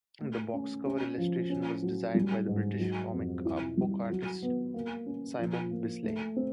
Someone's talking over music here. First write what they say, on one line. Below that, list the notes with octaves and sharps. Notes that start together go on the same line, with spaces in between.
The box cover illustration was designed by the British comic book artist Simon Bisley.
A3
C#4
C#4
F3
C#4
F#3
G3
G#2
F#3
F2
E4
G3
F#3
B3
A#3
C#4
F3
A#3
A3
C4